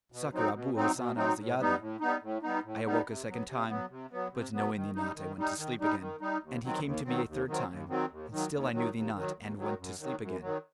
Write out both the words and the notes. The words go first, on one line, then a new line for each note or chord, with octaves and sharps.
Succour Abu Hassan al-Ziyadi.' I awoke a second time, but knowing thee not I went to sleep again; and he came to me a third time and still I knew thee not and went to sleep again.
B2
F#3 C4 D#4
B2
F#3 C4 D#4
B2
F#3 C4 D#4
A2
G3 B3 D#4
A2
G3 B3 D#4
A2
G3 B3 D#4
A2
G3 B3 D#4
C3
F#3 B3
C3
F#3 B3
C3
F#3 B3
C3
F#3 B3
D#3
G3 D#4
D#3
G3 D#4
D#3
G3 D#4
D#3
G3 D#4
D#2
D#3 F#3 C4
D#2
D#3 F#3 C4
D#2
D#3 F#3 C4
D#2
D#3 F#3 C4
D#2
D#3 F#3
D#2
D#3 F#3
D#2
D#3 F#3
D#2
D#3 F#3
F#2
D#3 F#3
F#2
D#3 F#3